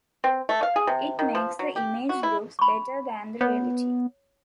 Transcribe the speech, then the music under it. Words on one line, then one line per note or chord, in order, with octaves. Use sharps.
It makes the image looks better than the reality.
C4
A3
F5
G#4
C3
D#3
F3
F#3
G4
F#4
E4
B5 C#6
B3 C#5